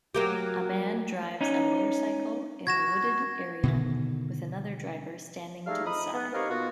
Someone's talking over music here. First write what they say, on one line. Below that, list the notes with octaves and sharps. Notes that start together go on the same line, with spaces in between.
A man drives a motorcycle in a wooded area, with another driver standing to the side.
F#3 A#3 G4
C#4 D#4
F#4 G#6 A#6 E7
B2 D3 D#3
G3 A3 D#4 G#4 E5 F5
F2 D#4 B5 D#6
B3
C4 D#4 G4 A#4 C#5 F5
B2 A#3 B3 F4 F#4